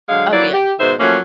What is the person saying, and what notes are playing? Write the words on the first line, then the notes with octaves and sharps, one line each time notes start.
Oh, yeah.
D3 F#3 G#3 F5
E3 F#3 A#3 E4 D5
G4
G#2 B2 D#3 C5 E5
F3 F#3 A3 A#3 C#4